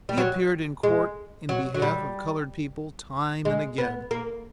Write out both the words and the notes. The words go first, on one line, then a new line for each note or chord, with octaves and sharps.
He appeared in court in behalf of colored people, time and again.
G3
F#3
G#3
F#3
F#3
G3
G#3
B3
A#3